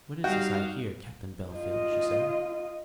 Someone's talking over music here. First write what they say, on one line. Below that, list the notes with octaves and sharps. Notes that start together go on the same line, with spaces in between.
"What is this I hear, Captain Bellfield?" she said.
G3 D#4 F#4 F5 G5
F4 D#5